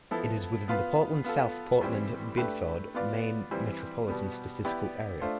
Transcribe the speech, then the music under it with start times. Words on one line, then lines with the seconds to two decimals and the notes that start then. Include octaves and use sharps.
It is within the Portland-South Portland-Biddeford, Maine, metropolitan statistical area.
0.11 F3 B3 E4 A4
0.68 B3 F4 B4
1.24 B3 F4 A4
1.81 A2 E3 G3 C4
2.37 A3 D4 G4 B4
2.95 B3 F4 B4 D5
3.51 E3 G3 C4
4.08 B2 G3 B3
4.65 B3 E4 G4 B4 D5
5.21 A3 D4 F4 C5